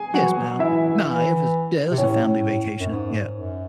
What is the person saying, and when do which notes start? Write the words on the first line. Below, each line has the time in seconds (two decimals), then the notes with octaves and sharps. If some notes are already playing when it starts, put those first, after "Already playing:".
Yes, ma'am. Nah, it was yeah, it was a family vacation, yeah.
Already playing: G#4 G#5
0.13 F#3 F#4 F#5
0.21 E3
0.29 F#3
0.59 E3 E4 E5
1.06 E3
1.91 C3
1.98 A2 C#4 C#5
2.80 F#2
2.90 G#2
3.36 F#2